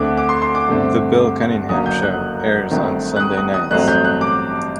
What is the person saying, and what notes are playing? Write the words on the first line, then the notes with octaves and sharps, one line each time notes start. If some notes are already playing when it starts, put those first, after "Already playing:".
"The Bill Cunningham Show" airs on Sunday nights.
Already playing: D2 D3 A3 C4 D6 F#6
D6
C6
C6
D6
G1 G2 D3 A3 C4
F#1 F#2 D3 F#3 A#3 D#6
G6
F#6
G1 G2 D#3 A3 C4
F#6
D#6
D#6
D#6
A1 G2 F#3 A3 C4 F#6
G6
F#6
D6